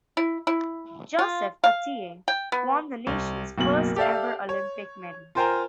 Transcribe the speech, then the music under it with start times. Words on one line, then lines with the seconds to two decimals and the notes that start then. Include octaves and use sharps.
Joseph Atiyeh won the nation's first ever Olympic medal.
0.17 E4
0.47 E4
1.19 F4
1.64 F5
2.28 G5
2.52 B3
3.07 C2
3.58 F#1 B1 B2 A#3 F#7
3.96 G4 A4 D5 E5 F5
4.49 C#5
5.35 F4 A#4 C5 G5 G#5 A#5